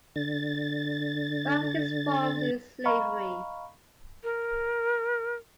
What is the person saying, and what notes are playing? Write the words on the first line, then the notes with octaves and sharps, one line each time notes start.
One of its forms is slavery.
D3 A6
D#5 F5 A#5 B5 C#6 F6
A#4